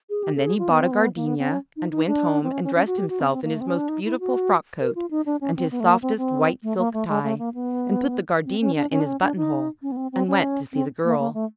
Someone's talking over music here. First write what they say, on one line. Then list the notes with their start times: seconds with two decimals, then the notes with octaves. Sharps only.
And then he bought a gardenia, and went home and dressed himself in his most beautiful frock-coat and his softest white silk tie, and put the gardenia in his button-hole--and went to see the Girl.
0.10 G#4
0.24 G4
0.36 A4
0.47 G#4
0.59 F4
0.70 B3
0.81 C4
0.92 B3
1.16 A#3
1.26 B3
1.39 C4
1.50 C#4
1.77 D#4
1.91 D#4
2.07 D4
2.44 C4
2.52 C#4
2.64 C#4
2.75 C#4
2.87 F#4
2.98 G4
3.09 F#4
3.20 C4
3.32 C4
3.44 A#3
3.55 A3
3.61 C4
3.67 C#4
3.77 D4
3.89 D#4
4.05 E4
4.20 F#4
4.80 A#4
4.95 F4
5.11 D#4
5.26 D4
5.41 C#4
5.57 C4
5.71 B3
5.80 A3
5.86 A#3
6.02 C4
6.17 C4
6.63 A3
6.78 A#3
6.93 A3
7.08 G#3
7.24 A3
7.39 A#3
7.54 B3
8.45 C4
8.61 C#4
8.76 D4
8.91 C#4
9.00 D4
9.06 C#4
9.21 D4
9.36 D#4
9.82 C#4
9.92 B3
9.97 C4
10.12 C4
10.27 C#4
10.73 C4
11.04 A#3
11.19 A#3
11.34 A3